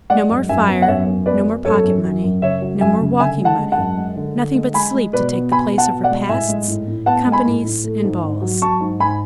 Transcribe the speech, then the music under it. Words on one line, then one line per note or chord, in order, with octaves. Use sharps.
No more fire, no more pocket-money, no more walking-money, nothing but sleep to take the place of repasts, companies and balls.
G#3 D5 F#5
F#2
F#2 E5 G#5
B3
F#5
F#2 C#5 E5
F#2
B3 B4 D5
B3
F#2 A4 C#5
F#2
F#3
F#2
C#3 C#5 E5
F#3
F#2 E5 G#5
C#3
D3 E5 G#5
G#3
F#5 A5
G#3
F#5 A5
F#2
G#3
D3
D3
G#3
G#3 G#5 B5
G#3
B2 B4 D5
B3
B2 G#5 B5
B3
F#5 A5
B2
D5 F#5
G#3
A2 E5 G#5
G#3
A2
A2
B3 F#5 A5
G#3
G#5 B5
A2
A2
A3
G#2
G#2
F#3
F#3 A5 C#6
G#2
G#2 G#5 B5